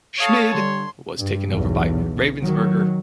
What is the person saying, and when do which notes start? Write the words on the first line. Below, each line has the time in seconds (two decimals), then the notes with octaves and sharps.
Schmid was taken over by Ravensburger.
0.18 A4 C#5 F5 C#6 D#6 C7
0.54 D3 G3 C6
1.19 G2
1.49 B1 E2
2.40 D#3 F#3